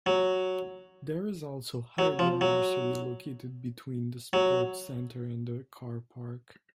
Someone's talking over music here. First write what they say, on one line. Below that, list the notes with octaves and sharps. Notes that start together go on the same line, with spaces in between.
There is also Highwood Nursery located between the sports centre and the car park.
F#3
F#3
F3
F#3
F#3